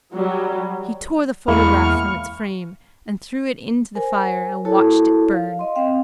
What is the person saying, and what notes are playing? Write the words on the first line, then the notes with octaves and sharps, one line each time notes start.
He tore the photograph from its frame and threw it into the fire and watched it burn.
F#3 G3
E2 G#3 A#3 E4 F5 B5 C#6 F6
A#4 C5 G#5
E4 F#4 A4 A#4 C#5 A5
F5
D#5 C6
C4 F5 G5